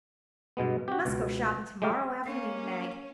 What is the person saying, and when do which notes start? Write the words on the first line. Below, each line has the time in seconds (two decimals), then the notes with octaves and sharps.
We must go shopping tomorrow afternoon, Meg.
0.57 G2 B2 G#3 B3
0.88 F#4 G4
1.05 C#2 B2
1.82 G#3 A3 G4 A4 F5
2.25 A#3 C#4